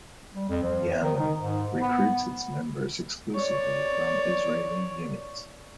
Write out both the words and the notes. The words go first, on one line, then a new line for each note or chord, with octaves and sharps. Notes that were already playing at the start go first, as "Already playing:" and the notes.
Yamam recruits its members exclusively from Israeli units.
G3
F2
F3
D#3
D#4
G#2
B3
C#5 D5